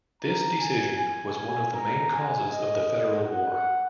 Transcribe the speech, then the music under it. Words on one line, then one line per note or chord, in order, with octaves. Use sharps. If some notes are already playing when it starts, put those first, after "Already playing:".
This decision was one of the main causes of the Federal War.
A#5
G#5
G#5
G#5
A#5
G#5
D#5
F#5